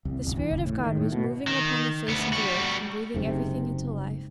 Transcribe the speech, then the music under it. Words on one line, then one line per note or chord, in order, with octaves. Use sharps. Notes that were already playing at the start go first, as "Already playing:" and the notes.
The Spirit of God was moving upon the face of the earth, and breathing everything into life.
C2
D1
E3
F#1
A2
D#3
A2
B2
D#3
D2 B3
G3 F#4
F#1 G#2 C3